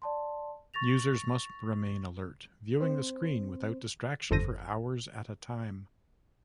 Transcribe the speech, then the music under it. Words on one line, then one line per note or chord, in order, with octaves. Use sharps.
Users must remain alert, viewing the screen without distraction for hours at a time.
D5 A5 C6
C#6 A6 A#6 F7
C4 C5
G1 F2 A4 C5 A#6 D#7